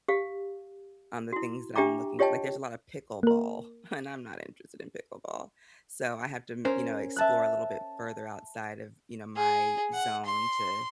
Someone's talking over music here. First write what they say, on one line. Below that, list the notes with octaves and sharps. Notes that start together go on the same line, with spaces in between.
um, the things that I'm looking like, there's a lot of pickleball, and I'm not interested in pickleball. So, I have to m you know, explore a little bit further outside of, you know, my zone to
G4 F5
E4 F#4
D4 G4 E5 G5 A#5 D6
F4 G4 C#5 D#5 G5 A5
A#3 A#4
C#4 A#4 C5
E5 A5 F#6
G#4
F#5
C6